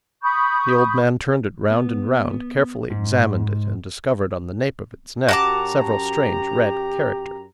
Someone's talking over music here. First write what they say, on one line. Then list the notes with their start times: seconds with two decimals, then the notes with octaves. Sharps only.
The old man turned it round and round, carefully examined it, and discovered, on the nape of its neck, several strange red characters.
0.22 B5 C#6 D#6 G6
1.70 B3
2.90 G#2
5.29 F#2 F#4 G4 A5 A#5 D6